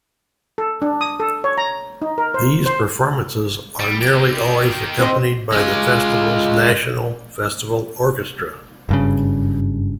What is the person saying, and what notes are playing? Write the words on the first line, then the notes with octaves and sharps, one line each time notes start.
These performances are nearly always accompanied by the festival's "National Festival Orchestra".
A4
D4
D#6
A4
C#5
A#5
D#4
A#4
C5
C5
G3
D#3 G4
C4 D#5
G#3 F4
F#1 G2 C#3